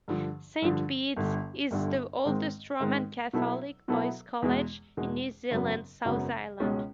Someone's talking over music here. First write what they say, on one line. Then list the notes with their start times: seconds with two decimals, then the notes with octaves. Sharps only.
Saint Bede's is the oldest Roman Catholic Boys' College in New Zealand's South Island.
0.08 G2 D3 F3
0.62 G2 D3 F3
1.16 G1 G2 D3
1.71 G1 G2 D3
2.25 G#2 D#3 G#3 C4
2.80 G#2 D#3 G#3 C4
3.33 B2 F#3 B3 E4 A4
3.88 B2 F#3 B3 E4 A4
4.42 E2 B2 G#3
4.97 E2 B2 G#3
5.51 G#1 F#2 C#3 F#3 B3
6.05 G#1 F#2 C#3 F#3 B3
6.60 C#2 B2 G#3 C#4